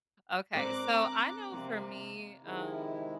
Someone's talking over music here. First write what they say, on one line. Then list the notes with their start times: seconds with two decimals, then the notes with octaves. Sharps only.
Okay, so I know for me, um,
0.55 C4 D4 A#4 A#5 D6 F#6
1.48 C3 A#3
2.43 C3 D#3 G#3 E4